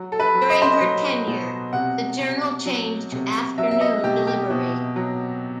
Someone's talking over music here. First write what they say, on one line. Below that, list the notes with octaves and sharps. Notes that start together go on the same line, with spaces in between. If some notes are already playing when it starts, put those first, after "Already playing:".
During her tenure, the Journal changed to afternoon delivery.
Already playing: F#3
A4
B4
F#3
D#5
C5
D#5
F#3
B2
C3 F#5
C3
F#3
C3
F#3 E5
E5
D#5
B2 G4
G4
B2
F#3